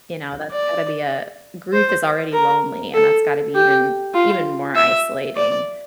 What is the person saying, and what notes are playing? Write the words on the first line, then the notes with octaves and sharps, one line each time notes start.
you know? That's gotta be a grief is already lonely, and that's gotta be even even more isolating.
D5
C5
A#4
A4
G4
F4
E5
D5